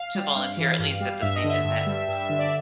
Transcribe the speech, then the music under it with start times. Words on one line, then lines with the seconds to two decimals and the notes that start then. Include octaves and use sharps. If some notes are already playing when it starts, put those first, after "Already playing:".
to volunteer, at least at the same events.
Already playing: F5
0.15 G3
0.36 G2
0.57 E3
0.79 G2
1.01 G3
1.21 G2 E5
1.36 D#5
1.44 D3
1.50 E5
1.65 G2
1.86 G3
2.08 G2
2.29 D3
2.39 D5